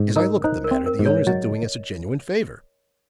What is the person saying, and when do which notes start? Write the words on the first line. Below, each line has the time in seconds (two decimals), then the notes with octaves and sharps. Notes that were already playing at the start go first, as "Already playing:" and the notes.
As I look at the matter, the owners are doing us a genuine favor.
Already playing: G#2
0.16 D#4 A#4
0.44 D#4 C5
0.64 A#4
0.71 C4
0.86 A#4
0.99 G#2
1.06 C#5
1.27 F#3 D#5